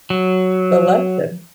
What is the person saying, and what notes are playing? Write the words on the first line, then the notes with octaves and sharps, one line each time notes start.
the lesson.
F#3